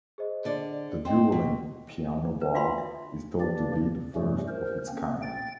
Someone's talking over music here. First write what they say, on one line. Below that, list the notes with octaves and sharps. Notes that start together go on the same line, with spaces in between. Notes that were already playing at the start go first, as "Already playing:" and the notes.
The dueling piano bar is thought to be the first of its kind.
G#4 C5 D#5
D3 D5
C4 D#5 G5 C6
B2
B4
D4 F4 F#4 F5 B5 C6
E5
E3 A#3 D4 G4 D5
E2
G2 C3 F#3 G3 A3 C#4
A#4 C5
A#3 C4 C#4
G5 A6